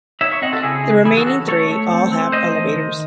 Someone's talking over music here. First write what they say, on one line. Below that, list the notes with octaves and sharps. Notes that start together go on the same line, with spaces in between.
The remaining three all have elevators.
D#4 C#5 E5
C#5 E5
C4 D#5 F#5
F#4 A4
C#3 E4 G#4
D#4
E3 E4 G#4
F#4 A4
C#4 F#4 A4
A3 A4 C#5
A3
C4
C4
A3 C5 D#5
E3
D#3